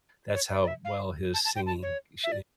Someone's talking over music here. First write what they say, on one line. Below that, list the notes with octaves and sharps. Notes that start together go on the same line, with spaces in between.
that's how well his singing, sh
C#5
D5
D5
E5
F5
A5
A5
G5
A5
C#5
E5
D5